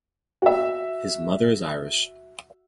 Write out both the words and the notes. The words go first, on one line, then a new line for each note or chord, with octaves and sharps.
His mother is Irish.
F#4 E5